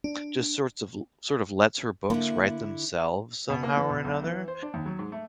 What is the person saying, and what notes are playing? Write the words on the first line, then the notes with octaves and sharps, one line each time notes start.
just sorts of l sort of lets her books write themselves, somehow or another?
D4
D3 A#3 E4
B2
A#3
E3
B2
B1
E3
C5
D4
D#2
F#3
G#2
A3